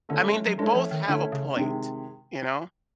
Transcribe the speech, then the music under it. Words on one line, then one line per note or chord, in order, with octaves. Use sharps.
I mean, they both have a point, you know
D3 A3 C#4 E4
G#3
F#3
G#3 A3 C#4 E4
F3
D#3
D3 A3 C#4 E4
C#3
C3 D#3 G#3